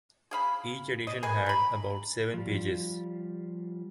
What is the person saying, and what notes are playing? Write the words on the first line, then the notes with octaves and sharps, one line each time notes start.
Each edition had about seven pages.
G#4 F5 B5
D#5
G#4 A#4 B4 G#5
A#5 B5
F3 G3